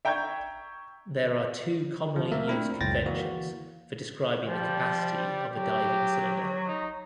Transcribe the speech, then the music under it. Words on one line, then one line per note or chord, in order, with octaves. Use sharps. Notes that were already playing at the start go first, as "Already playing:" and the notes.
There are two commonly used conventions for describing the capacity of a diving cylinder.
E5 G5 A#5 C#6 G6 G#6
F3
A3 A#3 A#4 E5
A3 C4 D4 E4 A4 A#4
C#2 F#2 C5 G5 A6 A#6
E3 A#3 F#4
F3 G3
F#3 G4
D#4